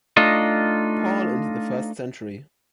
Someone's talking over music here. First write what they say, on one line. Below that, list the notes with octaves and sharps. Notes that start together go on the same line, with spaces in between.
Paul into the first century.
A3 D4 D#4 F4 D#5